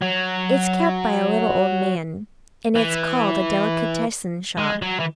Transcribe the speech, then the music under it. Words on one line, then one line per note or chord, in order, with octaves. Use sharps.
It's kept by a little old man, and it's called a Delicatessen Shop.
F#3
E3
G#3
F#3
E3